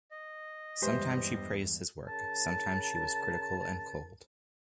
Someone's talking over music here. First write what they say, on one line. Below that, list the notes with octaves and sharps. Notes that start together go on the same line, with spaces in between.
Sometimes she praised his work; sometimes she was critical and cold.
D#5
E2 G2 E3 G#3 G4 B4 C5 E5
C#3 A#4 A5